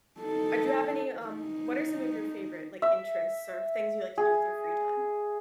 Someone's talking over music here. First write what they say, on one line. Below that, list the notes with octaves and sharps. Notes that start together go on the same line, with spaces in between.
Uh, do you have any, um, what are some of your favorite, like, interests or things you like to do with your free time?
D#4 A4
D#4
E5
G#4